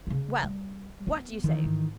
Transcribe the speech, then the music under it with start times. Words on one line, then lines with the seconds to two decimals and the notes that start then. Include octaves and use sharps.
Well, what do you say?
0.07 C#3 D4
0.43 G3
1.07 B3 C4
1.44 D#3 E3 C#4
1.64 G#2